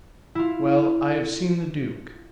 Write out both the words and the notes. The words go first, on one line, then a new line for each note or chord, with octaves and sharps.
"Well, I have seen the duke."
E4 F4